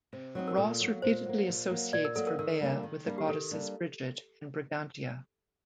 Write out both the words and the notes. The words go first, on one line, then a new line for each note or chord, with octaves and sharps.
Ross repeatedly associates Verbeia with the goddesses Brigid and Brigantia.
C3
F#3 C4 D#4
A#4
A#2 A4
F#3 A#3
A#2 C5
F#3 A#3
A#2
F#3 A#3
A#2 D5
A#4
F#3 A#3 A4
A#4
D#3 A#4
G3 A#3 D4
D#3
G3 A#3 D4
G4
D#3 A4
G3 A#3 D4